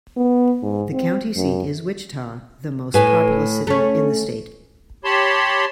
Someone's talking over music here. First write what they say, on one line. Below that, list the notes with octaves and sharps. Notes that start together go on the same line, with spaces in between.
The county seat is Wichita, the most populous city in the state.
B3
G#2
C4
F#2
A2 B4 C#5 G#5
A3 C#4
G4 C#5 A5 B5 C6